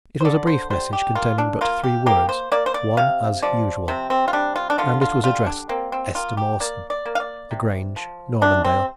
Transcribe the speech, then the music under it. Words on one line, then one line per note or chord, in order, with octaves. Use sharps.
It was a brief message containing but three words--"One as usual"--and it was addressed Esther Mawson, The Grange, Normandale.
C5
D3 D5
C5
G3 C5
G4
A#3 F4
D4
A#3 F4
G4
A#3 G4
C5
A#3 D5
C5
D5
C3 F5
F3 D5
C3 C4
C4
F4
G3 D4
F4
D4
D3 F4
F4
G3 F4
D4
A#3 C4
C4
A#3 F4
G4
A#3 D5
D5
A#3
F5
D5
C3
F3
C3 D4
C4